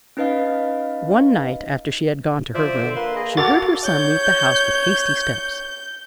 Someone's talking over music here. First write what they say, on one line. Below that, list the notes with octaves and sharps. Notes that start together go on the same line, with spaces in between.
One night after she had gone to her room she heard her son leave the house with hasty steps.
C#4 D#4 B4 D#5 F5
F3 C5 D5 E5
D3
A#3 B4 C6
G#4 D#5
F#4 A4 A#4 F5 F#5 D6 F6 A6
C#5 G6